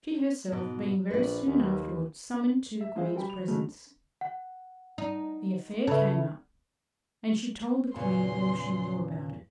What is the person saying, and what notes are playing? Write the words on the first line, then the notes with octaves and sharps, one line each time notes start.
She herself being very soon afterwards summoned to the Queen's presence, the affair came up, and she told the Queen all she knew about it.
G#2 B2
A#1 B4 D5
D#2
E5
G#3 E4 F4 G#4 C5 F5
G3 G5 B5
F#3 F7
C#3 F#3 G#3 A3
F#5
D#4
C#3 A4 B4 E5
E2 A#2 C#3 C6